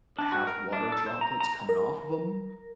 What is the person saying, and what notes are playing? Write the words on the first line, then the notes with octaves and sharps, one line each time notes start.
have water droplets coming off of 'em.
D4
F#4
A#4
D4
A4
C5
A#5
A#5
A#4